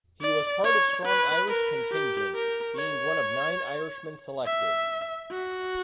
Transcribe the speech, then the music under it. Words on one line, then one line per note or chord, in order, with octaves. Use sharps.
He was part of strong Irish contingent, being one of nine Irishmen selected.
D5
C#5
B4
A#4
G4
A#4
C#5
E5
F#4